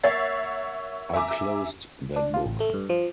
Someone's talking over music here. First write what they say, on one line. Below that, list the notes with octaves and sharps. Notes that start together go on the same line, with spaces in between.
I closed that book.
A#3 C#5 E5 F#5 A6 C7
E5 G#5 A#5 D6
D4
F4
A1
A3
G2
F3